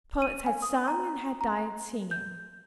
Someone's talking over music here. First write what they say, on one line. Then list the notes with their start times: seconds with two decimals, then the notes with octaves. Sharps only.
Poets had sung and had died singing.
0.22 D#7
0.46 G#5
0.62 D#6
0.88 A#5
1.41 A#5
2.11 G6